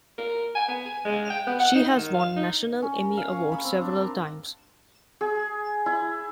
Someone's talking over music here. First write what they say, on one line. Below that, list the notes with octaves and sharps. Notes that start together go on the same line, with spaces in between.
She has won national Emmy Awards several times.
A#4
G#5
B3
G#5
G#3
G5
B3
F#5
D#4
D#3
F5
D#4
C#4
A#4
F5
C#4
B5
C4
D4
A#4
G#4
E4